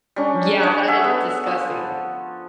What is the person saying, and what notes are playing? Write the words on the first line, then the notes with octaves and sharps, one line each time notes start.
Yeah, that is disgusting.
G3 C#4 D4
D4 G#4 C#5 D#5
A4 E5 F#5 G#5
B3
F3